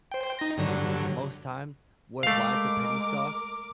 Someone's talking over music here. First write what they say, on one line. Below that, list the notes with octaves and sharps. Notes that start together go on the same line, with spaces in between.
Most time, wa why it's a penny stock,
C5 G5
D#4 A#6
G2 D3 F#3
G#3 A3 A#4 F5 D6